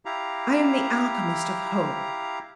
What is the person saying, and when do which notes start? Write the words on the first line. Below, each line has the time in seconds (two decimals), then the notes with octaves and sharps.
I am the alchemist of hope.
0.05 E4 G4 F5 A#5